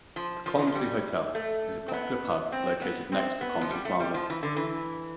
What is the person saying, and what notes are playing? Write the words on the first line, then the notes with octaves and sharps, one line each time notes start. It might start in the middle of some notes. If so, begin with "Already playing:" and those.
The Colmslie Hotel is a popular pub located next to Colmslie Plaza.
F3
F3
E3
F3
G3
A3
C4
B3
C4
B3
C4
B3
F3
G3
A3
G3
F3
E3
D3
E3